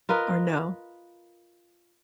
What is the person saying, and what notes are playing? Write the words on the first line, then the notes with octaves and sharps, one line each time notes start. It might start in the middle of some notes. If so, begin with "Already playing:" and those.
or no?
F4 A#4 B4 D#5